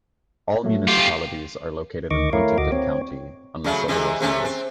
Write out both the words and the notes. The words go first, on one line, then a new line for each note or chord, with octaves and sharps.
All municipalities are located in Huntingdon County unless otherwise noted.
F#3 A3
F4 G4
D2 D#3 D#5 C#6 D6
A3 E4 A#4 C#5 F5
D2 F#4 D#5 D6
C4 C#5
C#3 F#3 A3
C3 E3 G#3
C3 A3 C#4
C4